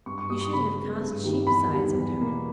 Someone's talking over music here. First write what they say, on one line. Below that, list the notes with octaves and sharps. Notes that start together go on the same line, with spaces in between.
You should have cast sheep's eyes at her.'
G2 C#6
C#6
G3 A#3 D#6
C#6
C#3 B5
G#3 B3
G2
D#3 G3 A#3
E2 B5
D#3 G3
E2
B2 A#3